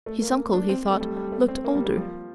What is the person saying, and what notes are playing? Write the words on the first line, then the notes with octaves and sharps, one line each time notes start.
His uncle, he thought, looked older.
A3
A#3
D4
C4
A3
G3
G3
A3
C4
A#3
G3
G3
F3